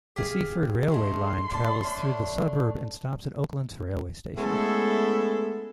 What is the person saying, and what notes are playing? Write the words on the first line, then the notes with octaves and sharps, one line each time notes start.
The Seaford railway line travels through the suburb and stops at Oaklands railway station.
G4 G#4 F5
C#3 G#3 A3 C6
A#2 D5 A5
A3 C#4 D4
G#3 A3 B3 C#4 E4 A4